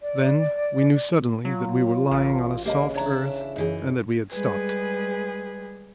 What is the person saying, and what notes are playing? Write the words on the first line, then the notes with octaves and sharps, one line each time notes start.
Then we knew suddenly that we were lying on a soft earth and that we had stopped.
D5
F#3 F4
A1 A#4 C#5
C#3 A#3 G4 D#5 B5
D4 E4 C#5 A#5
F#2 E3 D#4 G#4
G3 G#3 G#4 B4